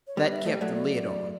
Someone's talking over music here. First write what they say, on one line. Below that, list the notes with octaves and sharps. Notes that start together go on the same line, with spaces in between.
That kept the lid on.
C#5
G3 B3 D5
E5
A3 D5
G3
F#3 A3 D5
D5